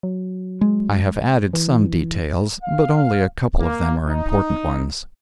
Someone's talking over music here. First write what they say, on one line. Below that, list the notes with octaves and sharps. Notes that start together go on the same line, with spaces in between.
I have added some details, but only a couple of them are important ones.
F#3
G#3
E3
F5
A#3
D#4